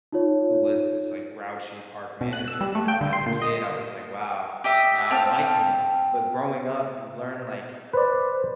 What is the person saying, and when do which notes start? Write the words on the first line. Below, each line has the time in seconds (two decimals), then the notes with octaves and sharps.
who was this, like, grouchy park manager, you know, as a kid, I was like, "Wow, you know, I don't like him." But growing up, you learn, like,
0.12 D#4 F4 C#5
2.21 B2
2.33 F#6
2.48 E6
2.61 G3
2.75 A3
2.88 G5
3.01 D3
3.13 C6
3.26 A#2
3.42 D#5
4.64 G4 D#5 E5
5.10 C4 A5 F6
7.93 B4 C5 D5